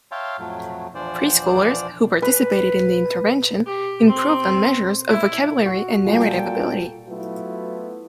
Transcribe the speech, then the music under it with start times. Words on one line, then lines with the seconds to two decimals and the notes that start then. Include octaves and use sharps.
Preschoolers who participated in the intervention improved on measures of vocabulary and narrative ability.
0.11 C#5 E5 F5 G5 A5 C6
0.39 F2 A2 F#3
0.95 E2 E3 F3 D4 C5 D5
2.22 B4
3.66 G4
4.07 C4
5.08 E4
5.66 F#4
6.06 A#2 G3 F4 A4 G5
7.09 F#3 A3 B3 E4 F4